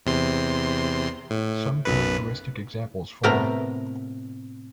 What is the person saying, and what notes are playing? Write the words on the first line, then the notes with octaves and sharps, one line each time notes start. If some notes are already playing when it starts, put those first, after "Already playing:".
Some characteristic examples follow.
E2 C3 C6
A2
B1 F#2 B4
A2 C3 A3 B3 A#4 A#5